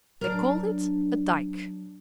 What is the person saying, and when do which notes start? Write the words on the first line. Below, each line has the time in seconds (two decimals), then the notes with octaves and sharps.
They called it a dyke.
0.21 F#3 D4 A#4